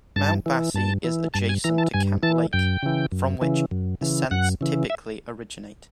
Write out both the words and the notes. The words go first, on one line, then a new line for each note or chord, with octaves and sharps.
Mount Bassie is adjacent to Camp Lake, from which ascents typically originate.
G2 A5
E3
G2 A5
E3
G2 A5
G#5
E3 A#5
A5
G2 G#5
E3 A5
F#2 G5
C#3 E3
F#2
C#3 E3
F#2
C#3 E3
F#2 F#5
C#3 E3
E5